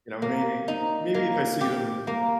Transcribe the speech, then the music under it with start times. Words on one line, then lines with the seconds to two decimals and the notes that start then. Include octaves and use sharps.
you know, maybe maybe if I see them
0.22 A#3
0.68 D#4
1.14 A#3
1.61 G4
2.07 A#3